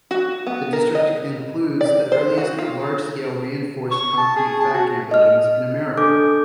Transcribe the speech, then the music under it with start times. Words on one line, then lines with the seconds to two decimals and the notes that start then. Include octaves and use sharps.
The district includes the earliest large-scale reinforced concrete factory buildings in America.
0.11 F#4
0.47 B3
0.73 A#4
0.95 D#5
1.81 D5
2.12 C5
2.38 F#4
2.58 F4
3.91 C#6
4.18 A5
4.36 G#4
4.60 A5
4.73 F#4
5.11 D#5 F6
5.97 D4 A4 D6 G6